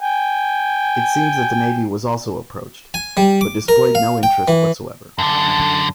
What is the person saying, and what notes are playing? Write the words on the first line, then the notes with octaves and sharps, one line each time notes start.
It seems that the Navy was also approached, but displayed no interest whatsoever.
G5 G#5
G#5
G3
D6
A#4
F5
G5
E3
F#2 D3 A5